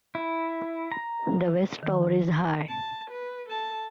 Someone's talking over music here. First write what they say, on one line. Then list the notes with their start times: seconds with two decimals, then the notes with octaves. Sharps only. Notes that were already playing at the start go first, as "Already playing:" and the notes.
The west tower is high.
0.15 E4
0.92 A#5
1.83 D#3
2.68 A5
3.11 B4
3.49 A4 A5